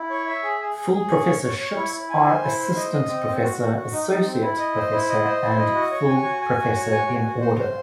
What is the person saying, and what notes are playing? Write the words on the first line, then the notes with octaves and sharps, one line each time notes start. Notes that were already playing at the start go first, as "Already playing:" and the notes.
Full professorships are assistant professor, associate professor, and full professor in order.
Already playing: E4
C#5
E5
G#4
G#4
G#4
G#4
C#5
C#5
C#5
C#5
E4
E4
G#5
C5
E4
C5
D#5
D#5
C4
C4
F#4
F#4
F#4
D#4
D#4
C4
E4
D#5
C5
E4
D#5
C5
E4
D#5
F#4
C#5
G#5
F#4
G#5
F#4
C#5
G#5
F#4
F#4
C5
C5